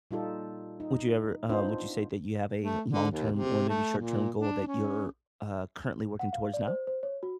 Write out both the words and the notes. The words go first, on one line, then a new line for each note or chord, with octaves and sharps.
Would you ever um, would you say that you have a long-term or maybe short-term goal that you're, uh, currently working towards now?
A#2 G3 D#4 F4 G4 A4
D#4
B3 C4 D4 D#4 F4 C5
A3
D3
D#2
C3
A3
A#2
D4
C#4
F#5
F5
D5
C5
C5
C#5
F#4